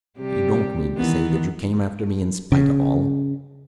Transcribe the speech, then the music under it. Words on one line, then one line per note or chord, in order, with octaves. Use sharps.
"You don't mean to say that you came after me in spite of all?"
C3 G3 G4
D#3 E3 B3
C#3